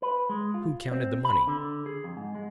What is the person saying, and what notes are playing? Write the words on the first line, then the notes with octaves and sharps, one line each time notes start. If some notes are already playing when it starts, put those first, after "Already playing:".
Who counted the money?
B4
G#3
F4
C4
B5
D3
G#4
F2
G#2
G#3